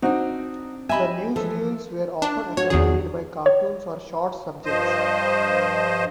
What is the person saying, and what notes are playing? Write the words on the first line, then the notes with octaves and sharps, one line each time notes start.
The newsreels were often accompanied by cartoons or short subjects.
C4 D4 D#4 F#4
G4 D#5 E5 G#5 B5
E3 F3 A4
D4
F#4 C#5
E2 D#3 D4 F#4 G#4
C#5
G2 F3 C5 D#5